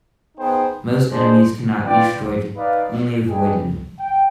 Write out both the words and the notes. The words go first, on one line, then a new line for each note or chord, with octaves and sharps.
Most enemies cannot be destroyed, only avoided.
B3 D#4 G#4 C5 G5
D4 G#4 C5 D#5
F4 B4 D5 G5
D#4 B4 D5 F5
D4 G#4 B4 D#5 G5
G5